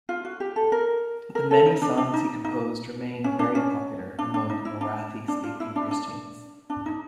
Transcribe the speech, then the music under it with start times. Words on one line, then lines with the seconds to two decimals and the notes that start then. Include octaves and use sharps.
The many songs he composed remain very popular among Marathi speaking Christians.
0.09 F4
0.25 F#4
0.40 G4
0.56 A4
0.72 A#4
1.35 A#4
1.51 A4
1.66 D#4
1.82 D4
1.97 D4
2.14 D#4
2.45 D#4
3.24 C#4
3.39 D4
3.55 C#4
4.19 D4
4.34 D4
4.50 D#4
4.65 E4
4.81 D4
5.28 D4
5.44 F4
5.60 E4
5.76 D4
5.91 D4
6.70 D4
6.86 D#4